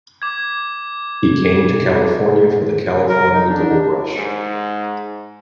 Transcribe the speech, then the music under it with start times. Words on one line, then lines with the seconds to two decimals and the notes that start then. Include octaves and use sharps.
He came to California for the California Gold Rush.
0.22 D6 G#6
3.09 A#4
3.34 D#4
3.49 D4
4.16 G#2